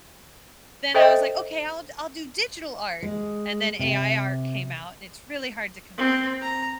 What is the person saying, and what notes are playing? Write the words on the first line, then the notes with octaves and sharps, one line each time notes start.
then I was like, "Okay, I'll d I'll do digital art!" And then AI art came out, and it's really hard to compete in that
A4 C5 D#5 E5 G5
G#3
C3
C4
A#5